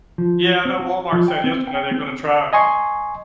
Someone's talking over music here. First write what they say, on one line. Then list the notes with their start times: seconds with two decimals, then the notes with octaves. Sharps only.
Yeah, I know Walmart said yesterday they're gonna try
0.18 F3
0.65 C4
0.79 F#4
1.12 F3
1.28 G5
1.44 C4
1.67 G5
1.92 C4
2.53 D#5 G#5 C6 C#6